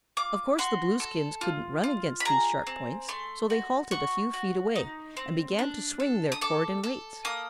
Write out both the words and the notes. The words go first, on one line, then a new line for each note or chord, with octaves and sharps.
Of course the Blueskins couldn't run against these sharp points, so they halted a few feet away and began to swing their cord-and-weights.
F4 D6
F#4 C6
A4
F4
F4
B5
G#4 A#5
C4
A3 C6
F#4
F#4 C#6
F#4
D#4
C4
D4
A4
D#6
A4 D6
A4
A#3 D#6